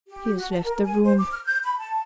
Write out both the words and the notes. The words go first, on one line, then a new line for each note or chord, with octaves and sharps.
He has left the room.
G4
F#4
A5
A#4
G#5
C5
D6
F6
G6
B5
A5